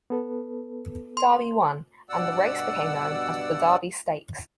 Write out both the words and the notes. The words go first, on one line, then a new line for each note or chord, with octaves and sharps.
Derby won, and the race became known as the Derby Stakes.
B3 A4 B4
C6
G2 B2 D5 F#5 E6